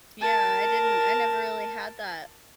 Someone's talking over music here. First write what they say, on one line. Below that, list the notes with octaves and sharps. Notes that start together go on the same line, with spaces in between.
yeah, I didn't I never really had that.
A#4 A5